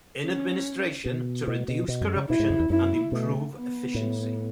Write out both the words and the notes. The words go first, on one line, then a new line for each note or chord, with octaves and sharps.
In administration to reduce corruption and improve efficiency.
C#4
B2
B2
B2
B2
F#2
C#3
B2 E4
G#2
F#2
E2
F#2 E4
B2 A3
B3
A2